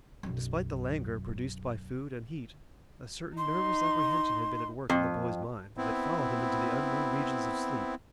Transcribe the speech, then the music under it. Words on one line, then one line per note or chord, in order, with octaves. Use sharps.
Despite the languor produced by food and heat a certain nervous apprehension had been at work in the boy's mind, and it followed him into the unknown regions of sleep.
B1 F#2
D#4 C6
F2
B3 C4 E4